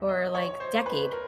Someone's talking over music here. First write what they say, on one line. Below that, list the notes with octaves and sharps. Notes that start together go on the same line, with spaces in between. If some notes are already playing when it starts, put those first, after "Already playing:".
Or, like, decade?
Already playing: E2 B2
D#5
C#5
C5
B4
A#4